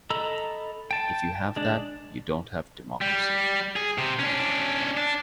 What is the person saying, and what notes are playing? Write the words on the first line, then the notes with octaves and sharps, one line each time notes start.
If you have that, you don't have democracy.
A4 D#5 A#5 B5 E6
G5 A5
G#3 D4
G3
G#4
C3
C#4 D4
D4